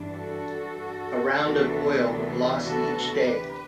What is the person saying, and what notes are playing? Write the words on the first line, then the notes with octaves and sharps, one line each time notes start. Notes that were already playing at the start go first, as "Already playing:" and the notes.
Around of oil were lost each day.
Already playing: G2 E3 G3 D4
F#4 A4
D2 C3 E3 B3 D4
F#4 A4
G4 B4